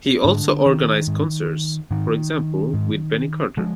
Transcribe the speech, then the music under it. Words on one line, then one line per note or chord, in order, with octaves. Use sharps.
He also organised concerts, for example with Benny Carter.
G#2 D3
D#3
G#2
G#2 D#3
G#2
F3 G#3